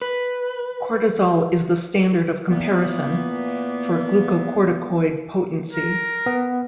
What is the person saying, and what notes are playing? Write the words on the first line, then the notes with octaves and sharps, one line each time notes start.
Cortisol is the standard of comparison for glucocorticoid potency.
B4
A#2 E3 A#3 B3
A#4
B3